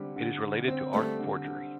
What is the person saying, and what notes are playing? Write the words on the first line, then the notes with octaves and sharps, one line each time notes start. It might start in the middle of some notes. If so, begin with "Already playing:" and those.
It is related to art forgery.
Already playing: D3 G3 C4
D3
D3
C4
G3 A3
D3
D3